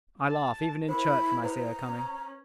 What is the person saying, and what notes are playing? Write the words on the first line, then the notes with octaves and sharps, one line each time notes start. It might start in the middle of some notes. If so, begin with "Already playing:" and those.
I laugh, even in church, when I see her coming.
A5
E4 A#4 C5 B5
B4 C5 A#5 B5
C#4